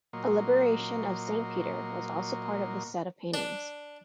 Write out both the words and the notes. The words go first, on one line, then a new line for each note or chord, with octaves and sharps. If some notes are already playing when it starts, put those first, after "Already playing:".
A "Liberation of Saint Peter" was also part of this set of paintings.
A#2 F#3 A#3 D#5 C6 C#6
D4